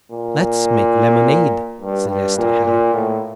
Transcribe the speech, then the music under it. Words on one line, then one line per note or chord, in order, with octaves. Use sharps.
"Let's make lemonade," suggested Hal.
A#2
G2
G2
A#2
A#2
A2